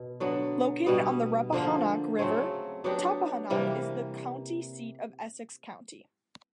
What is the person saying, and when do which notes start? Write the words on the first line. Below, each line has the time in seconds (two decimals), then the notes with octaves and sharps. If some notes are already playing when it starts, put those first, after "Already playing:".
Located on the Rappahannock River, Tappahannock is the county seat of Essex County.
Already playing: B2
0.20 D3 F#3 B3
0.86 B2 G3 B3
1.52 D3 F3 A#3
2.19 C#3 F#3 A3 C4
2.84 F#3 B3 D4 G4
3.50 C3 E3 G3 A#3